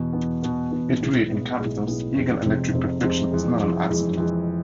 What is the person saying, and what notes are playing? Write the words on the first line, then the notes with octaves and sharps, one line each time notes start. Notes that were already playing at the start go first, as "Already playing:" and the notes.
It read, in capitals, "Eagle Electric-Perfection is not an accident".
Already playing: E2 B2 B3
E2 B2 B3
E2 B2 B3
E2 B2 B3
B1 A2 G#3 B3 E4
B1 A2 G#3 B3 E4
B1 A2 G#3 B3 E4
B1 A2 G#3 B3 E4
F1 F2 C3 G#3 C4
F1 F2 C3 G#3 C4
F1 F2 C3 G#3 C4
F1 F2 C3 G#3 C4
F2 E3 G#3
F2 E3 G#3
F2 E3 G#3
F2 E3 G#3